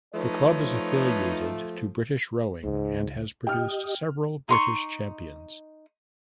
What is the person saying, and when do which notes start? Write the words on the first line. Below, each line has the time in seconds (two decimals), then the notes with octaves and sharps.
The club is affiliated to British Rowing and has produced several British champions.
0.14 F3 A3 D#4 B4 C#5
2.63 C#2 G#2
3.47 G4 D#5 G5 F6
4.49 D#4 C6 C#6